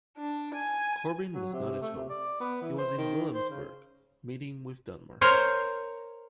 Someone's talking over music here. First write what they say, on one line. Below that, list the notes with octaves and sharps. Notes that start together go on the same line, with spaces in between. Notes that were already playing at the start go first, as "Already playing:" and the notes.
Corbin was not at home-he was in Williamsburg, meeting with Dunmore.
D4
G#5
F#3
C3
A3
C3
D5
B3
E3
C5
D#3
C5
C#3
A#4 C5 C#5